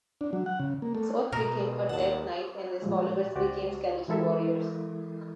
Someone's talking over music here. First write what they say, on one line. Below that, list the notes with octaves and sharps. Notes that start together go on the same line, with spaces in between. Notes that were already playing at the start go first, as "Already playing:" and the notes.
Soth became a death knight and his followers became skeleton warriors.
D4
F#3
F#5
C#3
A#3
A3
B2 A#4
D#2 F#5 A5
A#2 F3 G3 G#3
C#2 F#4 G4 C5 D5
E3 G#3 E4 A4 A#4 E5